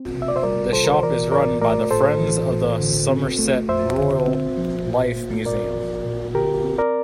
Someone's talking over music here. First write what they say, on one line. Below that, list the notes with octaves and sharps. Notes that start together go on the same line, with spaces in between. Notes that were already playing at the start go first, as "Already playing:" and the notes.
The shop is run by the Friends of the Somerset Rural Life Museum.
Already playing: C4
C3
E5
D5
C5 E5
G3 A#4 D5
C3 A4 C5
A#4
C5
E3 A#4 D5
A2 A#4 D5
A3 A#4 D5
A2 A4 C5
E3
A2
D3
C4
A3
F2 C5 E5
D3
C4
F3
A#2
A#3
A#2 A#4 D5
F3
A#2
D3 G4 A#4
C4
A#4 D5